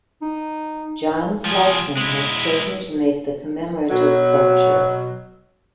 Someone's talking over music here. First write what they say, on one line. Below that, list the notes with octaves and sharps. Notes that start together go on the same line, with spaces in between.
John Flaxman was chosen to make the commemorative sculpture.
D#4
F3 G#4
G#3 E4
B2 F#3